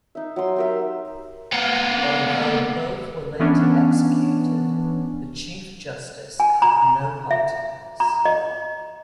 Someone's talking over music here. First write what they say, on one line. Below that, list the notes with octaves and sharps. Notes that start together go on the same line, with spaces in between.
Although both were later executed, the chief justice had no part in this.
D#4 E5
F#3 C6
G4 A#4 E5
A#3 B3
E3 B3 C#4 D4
G#5
A#5
E5
A#5
D#5